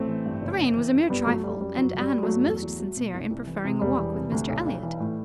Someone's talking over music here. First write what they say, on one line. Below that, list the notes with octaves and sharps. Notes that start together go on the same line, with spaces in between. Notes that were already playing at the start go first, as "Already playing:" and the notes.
The rain was a mere trifle, and Anne was most sincere in preferring a walk with Mr Elliot.
Already playing: A1 A3 C4
E3
G2
F#1
F#1
E3
F#2
G1 G3 B3
G1 F#3 A3
F#3 G3
F#2 G3
G1 F#3
G1
G3
F#3
F#3 A3
G2
E2
E2
F#3
B2
C2
C2
E3
C3
E1 G3
E3
C3
D2
B1
B1
E3
A2